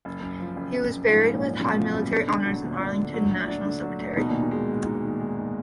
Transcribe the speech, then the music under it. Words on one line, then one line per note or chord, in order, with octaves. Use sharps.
He was buried with high military honors in Arlington National Cemetery.
F#1
F#2
F3
F#1
F#1
F#2
G#2 F3
F#1
A#2
F#1
F#2 B2
F3
F#1
D4
D3
F#3
D2 A#2
D4
D3
F#3
D2
D4
D3
F#3
D2
B2 D#4
A#2 D#3
B2
G#3
G#2
D#4
D#3
G#3
G#2